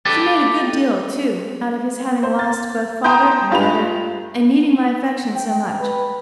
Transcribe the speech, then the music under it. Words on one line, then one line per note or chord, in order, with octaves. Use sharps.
She made a good deal, too, out of his having lost both father and mother, and needing my affection so much.
G4 A4 B4 D5 A5
C5
A6
G5 A5 A#5 C6 D#6 G6
G2 F4 B4 B5 F7
G5
B4